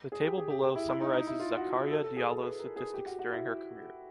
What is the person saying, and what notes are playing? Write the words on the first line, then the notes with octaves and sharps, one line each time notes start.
The table below summarizes Zakaria Diallo’s statistics during his career.
G#4
G4
G#4
G4
G4
E4
E4
D#4
D#4
E4
F4
F#4
A4
A4
G#4
A4
B4
A#4
G#4
G4
F#4
F#4
E4